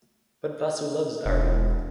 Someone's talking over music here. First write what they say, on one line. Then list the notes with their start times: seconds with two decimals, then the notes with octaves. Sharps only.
But Vasu loves Arjun.
1.26 E1